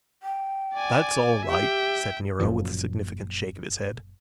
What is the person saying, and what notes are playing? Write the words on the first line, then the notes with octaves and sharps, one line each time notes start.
"That's all right," said Nero, with a significant shake of his head.
G5
D5 G#5
G4 E5 G5
F#1 F#2 A#2 F3